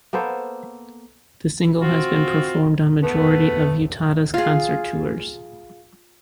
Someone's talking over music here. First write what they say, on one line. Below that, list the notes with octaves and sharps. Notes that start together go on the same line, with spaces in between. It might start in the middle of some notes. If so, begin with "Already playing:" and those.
The single has been performed on majority of Utada's concert tours.
A#3 B3 A4 C5
C4 F4 F#4
A3 B3
F4 G#4